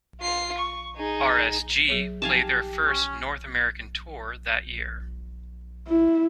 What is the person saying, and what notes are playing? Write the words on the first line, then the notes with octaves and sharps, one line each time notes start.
RsG played their first North American tour that year.
F4 C7
C#6
D#4 G#4
F#3 G#4 C#5
F3 D#4 G4 F5 G#5 A5 D6
C#4
E4